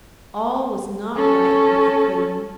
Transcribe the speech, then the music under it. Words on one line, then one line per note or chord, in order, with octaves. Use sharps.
All was not right with the Queen.
C#4 A4